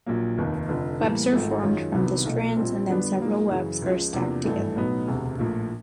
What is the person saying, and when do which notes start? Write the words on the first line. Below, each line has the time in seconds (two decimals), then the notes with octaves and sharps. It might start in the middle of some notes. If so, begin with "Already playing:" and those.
Webs are formed from the strands and then several webs are stacked together.
0.06 A#1 A#2 F#3 A#3
0.38 F1 D#2 D#3
0.68 F1 F2 D3
1.00 A2 E3 G3 A#3
1.32 G#1 G#2 F3 A3
1.63 F#2 D#3 G#3 C#4 F4
1.94 C2 C3 D#3 F#3 B3
2.25 B1 A#2 F3 A3
2.56 A#1 A#2 G3 C4
2.88 F2 D3 G3 B3 D4
3.19 A#2 F#3 A#3 D#4
3.51 F#2 C#3 E3
3.82 C#2 C#3 F3
4.13 E2 C3 F3 A#3 D4
4.44 G#1 G2 E3 A3
4.76 B1 A2 F#3 B3 D#4
5.07 E1 D2 C3
5.38 A#1 A2 F3 A#3